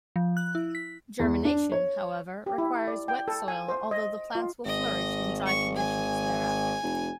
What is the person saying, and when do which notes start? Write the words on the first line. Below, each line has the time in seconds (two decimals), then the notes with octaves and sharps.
Germination, however, requires wet soil although the plants will flourish in dry conditions thereafter.
0.16 F3
0.37 F#6
0.55 E4
0.75 B6
1.19 E2
1.45 D4
1.72 C#5
2.46 G4
2.58 E4
2.88 D5
3.08 G5
3.28 A4
3.48 G#5
3.68 C5
3.91 D#5
4.35 F4
4.65 G#1 D#5
5.46 C#6
5.76 G#5
6.83 F1